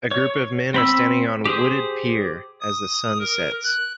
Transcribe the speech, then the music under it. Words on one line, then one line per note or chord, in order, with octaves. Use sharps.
A group of men are standing on wooded pier as the sun sets.
C#5
C4 B5 E6
G4 G#4 C5
D#6
A#4
F#6